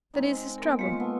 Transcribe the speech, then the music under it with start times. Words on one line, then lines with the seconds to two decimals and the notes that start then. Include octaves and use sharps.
'That is his trouble.
0.14 G#3 C4 D#4
0.58 B3 A#4
0.79 G#3 A#3 F4 C#6
1.00 B3 A4